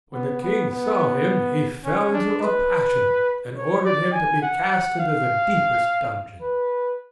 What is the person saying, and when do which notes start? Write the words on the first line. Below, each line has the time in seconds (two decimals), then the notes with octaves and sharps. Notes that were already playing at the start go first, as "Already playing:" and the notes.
When the king saw him he fell into a passion, and ordered him to be cast into the deepest dungeon.
0.13 B3
0.42 B3
0.70 B3
1.85 C#4
2.13 D4
2.42 B4
3.56 C#5
3.85 D5
4.13 G#5
4.42 F#5
4.71 F#5
4.99 F5
6.42 B4